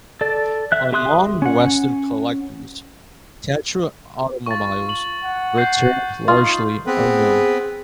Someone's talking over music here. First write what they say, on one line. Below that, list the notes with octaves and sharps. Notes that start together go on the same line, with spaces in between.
Among western collectors, Tatra automobiles remain largely unknown.
A4 D5
E5 F#6
G4 E5 C6 D#6 F#6
C#4 F#5
F4 C#6 A6
C#6 F#7
F#5
C#6 G6 C7
D#4 F4 D#6
B3 C4 G#4 B4